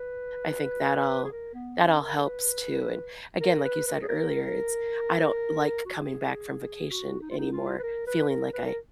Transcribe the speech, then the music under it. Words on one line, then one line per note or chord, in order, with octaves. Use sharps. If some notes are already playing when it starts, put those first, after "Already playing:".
I think that all that all helps, too, and, again, like you said earlier, it's I don't like coming back from vacation anymore feeling, like, I
Already playing: B4
G#4
A#4
B3
C#4
A#4
B4
A#4
B4
B4
A#4
G#4
A#4
F#4
G#4
F#4
D#4
F4
D#4
F4
B4
A#4
B4
A#4
B4
A#4